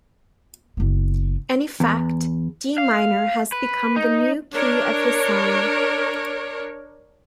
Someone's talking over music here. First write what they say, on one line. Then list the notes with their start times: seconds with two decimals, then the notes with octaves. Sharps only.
In effect, D minor has become the new key of the song.
0.77 F#1 B3
1.80 E2
2.78 F5
3.52 B4
3.96 D#4
4.54 D4 A#4 C#5